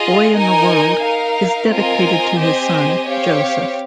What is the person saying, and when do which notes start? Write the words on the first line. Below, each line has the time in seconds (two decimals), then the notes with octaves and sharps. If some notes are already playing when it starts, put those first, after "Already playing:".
"Boy in the World" is dedicated to his son, Joseph.
Already playing: F4 G#4 D#5
0.35 D#4 A#4 D#5 G#5
1.02 D#4 A#4 F5
1.70 C4 F4 A#4 D#5 G#5
2.37 C4 G4 C5 D#5 G#5
3.04 C4 G4 C#5 F5